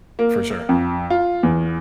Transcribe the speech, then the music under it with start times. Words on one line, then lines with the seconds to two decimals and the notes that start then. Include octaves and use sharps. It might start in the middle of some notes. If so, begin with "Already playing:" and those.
For sure.
0.19 A#3
0.69 F2
1.10 F4
1.43 E2